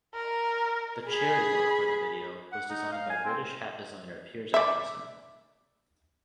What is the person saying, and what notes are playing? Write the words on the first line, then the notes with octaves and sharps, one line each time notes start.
The cherry look for the video was designed by British hat designer Piers Atkinson.
A#4
G#4 B5
F#5
D#4
F5
G#5
C4
D5 E5